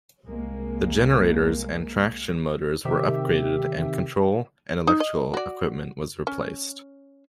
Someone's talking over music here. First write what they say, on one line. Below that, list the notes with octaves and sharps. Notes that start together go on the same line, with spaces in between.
The generators and traction motors were upgraded and control and electrical equipment was replaced.
C2 G#3 A#3
C3 D#3 G4 E5
D#4
D#5
F#4 D5
C#4